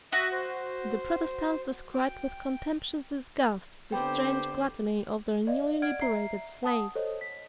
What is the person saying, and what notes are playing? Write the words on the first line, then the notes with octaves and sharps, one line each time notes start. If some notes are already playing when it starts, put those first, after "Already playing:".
The Protestants described with contemptuous disgust the strange gluttony of their newly liberated slaves.
F#4 E5 D#6
C5
G5
D3 B3 C4 G4 C5 G5 B5
D5 D#5 F5
D5 F#5 F6 G#6 D7
E5 A#5 C7
F#5 A5 D#6
A4 C5 C#5 D#5
B6